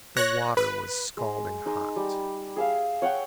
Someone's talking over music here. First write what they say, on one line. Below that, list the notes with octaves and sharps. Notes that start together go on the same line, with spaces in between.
The water was scalding hot!
C#5 F#6 A#6
B4
G#3
G#3 D#4
G3
G#4 E5 F5
C#5 F#5 G5 C#6